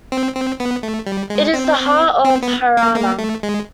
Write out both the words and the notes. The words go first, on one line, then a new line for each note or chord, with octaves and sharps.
It is the heart of Haryana.
C4
C4
B3
A3
G3
G#3
C4
C4
B3
A#3
A#3
A3
G#3